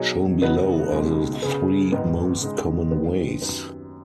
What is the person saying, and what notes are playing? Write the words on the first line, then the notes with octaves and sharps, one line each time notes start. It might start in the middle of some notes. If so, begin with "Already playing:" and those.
Shown below are the three most common ways.
Already playing: B2 F#3 D#4 G#4 C#5
C#3 B3 D#4 F#4 B4
C#2 B2 G#3
C#3 B3 G#4 B4
G#1 G#2 D#3 B3 D#4
C#3 G#3 D#4
D#2 D#3 B3
F#2 D#3 B3 D#4